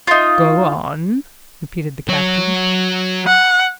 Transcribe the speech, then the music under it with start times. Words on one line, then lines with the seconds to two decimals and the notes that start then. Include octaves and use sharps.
"Go on?" repeated the captain.
0.07 D#4 F4
2.09 F#3 C#5
3.27 F#5